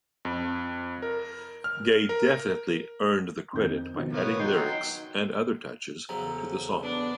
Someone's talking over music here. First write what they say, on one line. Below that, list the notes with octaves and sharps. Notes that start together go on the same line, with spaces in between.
Gaye definitely earned the credit by adding lyrics and other touches to the song.
F2
A#4
F6
A#4
F2 D#3 G6
B2 D#3 F3
A#3 B3 C#5
F#3 D#4 G5 C6 G6
E2 C#3 F#3 A4 C5 A#5
B3 D4